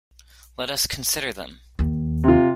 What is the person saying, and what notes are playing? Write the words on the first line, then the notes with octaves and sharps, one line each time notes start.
Let us consider them!
D#2
C3 F4